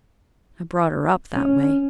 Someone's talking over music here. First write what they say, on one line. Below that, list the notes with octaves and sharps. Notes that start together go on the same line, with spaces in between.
I brought her up that way.
C#4